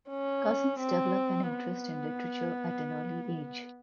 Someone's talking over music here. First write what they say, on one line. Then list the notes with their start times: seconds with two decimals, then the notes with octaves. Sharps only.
Cousins develop an interest in literature at an early age.
0.09 C#4
0.80 C4
1.50 B3